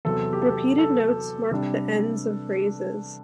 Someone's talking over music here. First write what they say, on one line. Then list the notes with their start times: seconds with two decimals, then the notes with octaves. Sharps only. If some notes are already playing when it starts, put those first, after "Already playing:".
Repeated notes mark the ends of phrases.
0.05 E2 C3 F#3 C4 A4
0.33 G4
0.42 A4
0.78 A4
1.51 C3 G3 D4